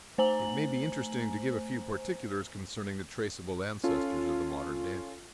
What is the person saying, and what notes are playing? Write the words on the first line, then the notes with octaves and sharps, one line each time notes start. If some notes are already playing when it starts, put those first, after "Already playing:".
It may be interesting to give a few particulars concerning the traceable ancestors of the modern Dandie.
A3 C5 G#5 A#5 F#7
C#4 F4 A4